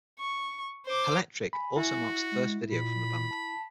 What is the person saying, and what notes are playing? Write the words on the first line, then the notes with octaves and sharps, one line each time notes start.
Hellectric also marks the first video from the band.
C#6
C5 D6
G#5 B5
E4 F#4
G#3
A#2 B5
A5